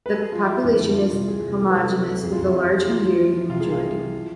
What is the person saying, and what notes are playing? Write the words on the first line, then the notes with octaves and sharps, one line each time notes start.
The population is homogeneous with a large Hungarian majority.
B4
A4
G#4
F3 F4
E4
F3
E4
F2 D4
E4
D3
E4
E3 F4
C3
D2 G#4
C3
E3 A4
B4
C3 A4
C3
D2
F2 G#4
F4
F2
E4
F3 E4
F3
G#4
E3 F4
E3
E3
E3
C3 F4
G#4
C2
F5
C2
F3
F3